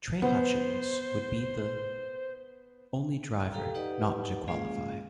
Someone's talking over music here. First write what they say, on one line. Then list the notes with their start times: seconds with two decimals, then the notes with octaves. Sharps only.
Trey Hutchens would be the only driver not to qualify.
0.22 B3 C5
3.52 G4 A4 F5 G5 A#5
3.74 D#4 G4 B4 D5 D#5 F#5
4.48 G#3 A#3 C#4 F4 G#4 F5